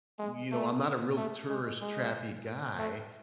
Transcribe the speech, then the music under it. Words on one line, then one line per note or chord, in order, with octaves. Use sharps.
you know, I'm not a real tourist trappy guy
G#3
A3
A3
G#3
G#3
A3